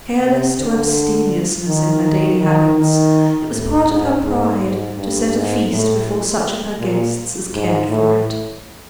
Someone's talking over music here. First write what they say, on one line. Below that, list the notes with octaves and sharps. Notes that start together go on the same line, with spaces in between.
Careless to abstemiousness in her daily habits, it was part of her pride to set a feast before such of her guests as cared for it.
C3
D3
D#3
D#3
D#3
D#3
A2
G#2
G#2
G#2
G2
G#2
A2
A#2
G#2
A2